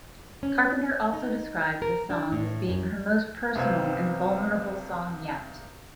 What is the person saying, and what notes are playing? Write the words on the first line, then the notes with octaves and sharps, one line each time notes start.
Carpenter also described the song as being her most personal and vulnerable song yet.
C#4
D#4
A#4
D4
A2
F#2
C2 G2 B3 C4 F4 G#6